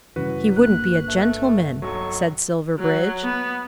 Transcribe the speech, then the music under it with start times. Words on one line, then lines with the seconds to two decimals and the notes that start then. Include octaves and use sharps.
"He wouldn't be a gentleman," said Silverbridge.
0.16 G2 C#3 E3 F#4 B4
0.56 G1 D3 A#3 F#6
1.08 A3
1.82 B1 F#3 A4 C#6
2.79 F#3
3.23 B3